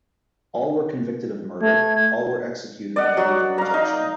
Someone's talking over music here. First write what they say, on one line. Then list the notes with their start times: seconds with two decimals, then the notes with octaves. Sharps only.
All were convicted of murder; all were by executed by lethal injection.
1.62 A3 G#6
2.96 D5 D#5 F#5
3.17 F#3 F#4
3.58 F5 A#5
3.74 D#4